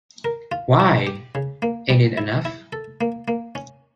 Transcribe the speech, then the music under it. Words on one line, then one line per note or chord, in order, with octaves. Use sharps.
Why! — ain't it enough?
A#4
F4
E4
G4
C#3
A#3
G3
E4
E4
A4
A#3
A#3
C#4